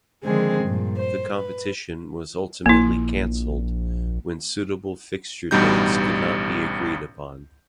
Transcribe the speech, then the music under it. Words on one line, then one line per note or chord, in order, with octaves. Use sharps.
The competition was ultimately cancelled, when suitable fixture dates could not be agreed upon.
D3 D#3 F3 G#3 C4 G#4
G2 A#2
C5
B4
A#1 A#3 E4
A1 G2 B2 G3 D#4 G6